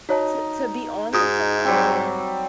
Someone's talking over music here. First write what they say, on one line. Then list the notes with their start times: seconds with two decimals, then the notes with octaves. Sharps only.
To to be on the show?
0.09 D#4 F#4 C#5 A5
1.13 G#2 F4 F#4 D#6
1.65 F#3 G3 C4